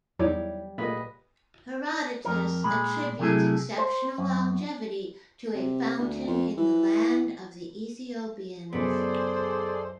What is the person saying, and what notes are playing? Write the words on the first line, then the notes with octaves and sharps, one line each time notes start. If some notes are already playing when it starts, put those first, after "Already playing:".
Herodotus attributes exceptional longevity to a fountain in the land of the Ethiopians.
E2 G3 D#4 E4 C#5 D5
A#2 A3 G#4 B4 D#5 F5
F2 A#4
A#2 G#3 B5
C3 F#3 A3 E4 G#4 A4
C5
F#2
C3
D2
F2
E3
C#2 F#2 B3 G#4 A4 C5 D5 D7